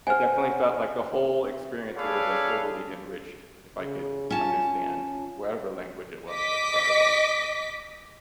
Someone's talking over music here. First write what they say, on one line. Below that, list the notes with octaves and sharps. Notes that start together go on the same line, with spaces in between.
I definitely felt like the whole experience would have been totally enriched if I could understand whatever language it was that where I was.
C5 F#5 G#5 F6
G#4 A4 B4 C#5 D5 F5
C#3
C#4 F4 A5
D#5 D6 B6